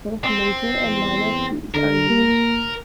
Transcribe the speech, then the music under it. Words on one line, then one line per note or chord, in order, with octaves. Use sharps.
Both major and minor keys are used.
C4
E2
D3 A#4
A#3